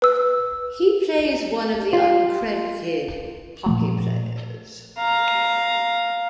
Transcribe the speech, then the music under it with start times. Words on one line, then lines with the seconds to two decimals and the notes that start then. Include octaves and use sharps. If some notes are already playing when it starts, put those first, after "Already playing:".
He plays one of the uncredited hockey players.
0.02 B4 E6
1.93 F4
3.66 A#2 F3 A3
4.99 F5 A#5